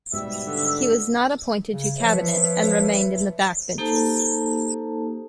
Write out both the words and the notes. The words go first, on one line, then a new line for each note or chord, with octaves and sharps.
He was not appointed to cabinet, and remained in the backbenches.
G#2 B2 G3 E5
D3
C#3
F3 B4 C#5 E5
A#3 D#4 G4 A4 C5 A5